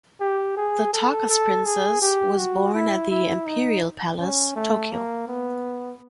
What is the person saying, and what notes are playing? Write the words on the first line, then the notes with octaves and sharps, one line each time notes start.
The Taka’s Princess was born at the Imperial Palace, Tokyo.
G4
G#4
A4
A4
G#4
G4
F#4
E4
E4
D#4
C#4
A3
A#3
B3